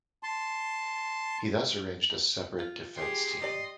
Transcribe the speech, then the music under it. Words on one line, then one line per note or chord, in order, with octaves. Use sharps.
He thus arranged a separate defence team.
A5 C6
F4
G4 G#4 C6
G4 D5 D#5